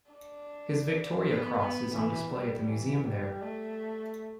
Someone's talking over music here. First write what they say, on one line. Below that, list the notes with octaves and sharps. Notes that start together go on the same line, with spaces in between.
His Victoria Cross is on display at the museum there.
D4
B3
B3
E3
G3
E3
G3
A3